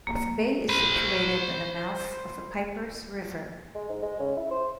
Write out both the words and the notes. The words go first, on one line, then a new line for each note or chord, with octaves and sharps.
The bay is situated on the mouth of the Pipers River.
A#3
C5 B5
G#3
G#2
G#3
C#3
E4
C5